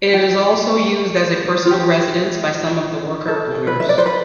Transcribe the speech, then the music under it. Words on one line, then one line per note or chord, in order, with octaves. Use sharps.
It is also used as a personal residence by some of the worker-owners.
G4
F4
G4
A4
B4
E5
D5
C5
B4